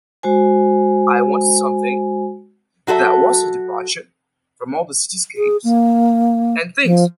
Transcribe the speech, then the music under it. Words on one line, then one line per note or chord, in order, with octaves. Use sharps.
I wanted something that was a departure from all the cityscapes and things.
G#3 F#4 C5 G#5
F#3 F#4 A4 B4 E5
G#4
A#3
F3